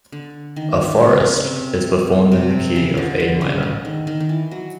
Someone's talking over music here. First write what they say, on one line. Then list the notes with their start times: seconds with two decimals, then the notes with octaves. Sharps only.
"A Forest" is performed in the key of A minor.
0.12 D3
0.56 D#3
1.00 C#3
1.44 C3
2.32 C3
2.76 C#3
2.97 D3
3.20 D3
3.41 C#3
3.63 D3
3.85 D#3
4.07 D#3
4.20 D#3
4.29 E3
4.51 F#3